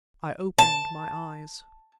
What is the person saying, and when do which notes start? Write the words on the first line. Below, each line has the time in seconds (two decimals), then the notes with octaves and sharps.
I opened my eyes.
0.58 A5